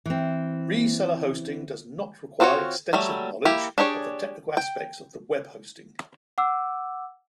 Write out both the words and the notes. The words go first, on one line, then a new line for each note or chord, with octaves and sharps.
Reseller hosting does not require extensive knowledge of the technical aspects of web hosting.
E3 C4
C4 F4 F#4 A4 C#5
F#3 G3 A3
A#3 E4 G4
D4 G4 G#4 C#5 D5
G5
F#5 D6 E6